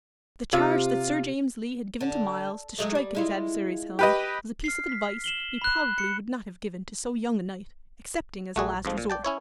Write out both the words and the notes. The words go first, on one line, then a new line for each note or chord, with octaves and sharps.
The charge that Sir James Lee had given to Myles to strike at his adversary's helm was a piece of advice he probably would not have given to so young a knight, excepting as a last resort.
C3 F4
D3
F#3 G#3 A3
G3
G#3 E4 F4
G4 B4 D#5
F6 C7
B6
E7 F#7 G7
B5 F#6
C#7
A#1 A3 F#4 G#4
F2 G#2 F3
A#2
D5 G5 A5
C#4 E4 C#5